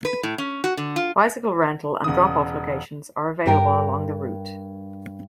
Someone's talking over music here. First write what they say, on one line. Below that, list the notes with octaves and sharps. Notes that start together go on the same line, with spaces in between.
Bicycle rental and drop off locations are available along the route.
B4
A2
C#4
F#4
D3
F4
E1 C#3 D#6
G2 G4 A#4 G5